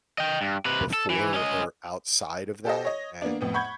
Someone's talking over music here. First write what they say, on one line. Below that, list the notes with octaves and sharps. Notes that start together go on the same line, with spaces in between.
before or outside of that, and
D#5 G5
G2
C3 B4
A4
E3
C#4 D#5
G4 A4 C5 D#5
C#5 D#5
A#3 B3 D4
F2 A2 B3
F#5 B5 C#6 G6 G#6